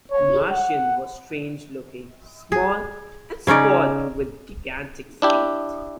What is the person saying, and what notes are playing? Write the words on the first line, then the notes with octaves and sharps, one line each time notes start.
The Martian was strange-looking: small and squat with gigantic feet.
C#5
F#5
G#4
C#3 C#4 D#4 D5
D4 E4 G4